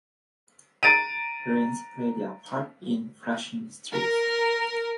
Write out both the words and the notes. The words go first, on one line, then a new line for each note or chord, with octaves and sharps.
Rains play their part in flushing streets.
A#5 A6 D7 D#7
A#4